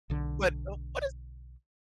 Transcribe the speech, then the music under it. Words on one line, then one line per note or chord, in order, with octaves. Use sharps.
but, oh, what is
B1 D3